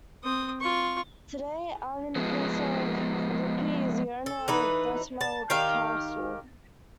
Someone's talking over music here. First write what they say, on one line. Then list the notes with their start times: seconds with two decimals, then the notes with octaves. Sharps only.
Today, Armin, Prince of Lippe is the owner of Detmold Castle.
0.23 C4 D#6
0.60 F4 C#6
2.16 F3 G#3 B3
4.26 A4
4.48 E3 D#4 B4
5.21 A5
5.50 D#3 G4 F5